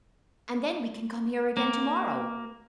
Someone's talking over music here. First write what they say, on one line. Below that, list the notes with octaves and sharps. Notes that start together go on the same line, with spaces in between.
"And then we can come here again to-morrow."
A#3